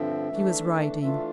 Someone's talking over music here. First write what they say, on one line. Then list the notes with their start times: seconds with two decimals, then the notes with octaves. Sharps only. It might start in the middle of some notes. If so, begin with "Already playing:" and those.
She was writing.
Already playing: G2 D3 F3 C4 E5
0.29 E3 A3 D4
1.00 E3 A3 D4 F4 E5